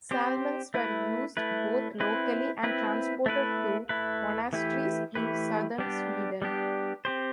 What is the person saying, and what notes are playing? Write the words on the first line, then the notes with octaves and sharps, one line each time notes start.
Salmons were used both locally and transported to monasteries in southern Sweden.
C4 G4 C5
A3 E4 B4
A3 E4 B4
C4 E4 B4
C4 E4 B4
A3 E4 B4
A3 E4 B4
E3 A3 E4 G4 B4
E3 A3 E4 G4 B4
G3 B3 D4 G4
G3 B3 D4 G4
C4 G4 C5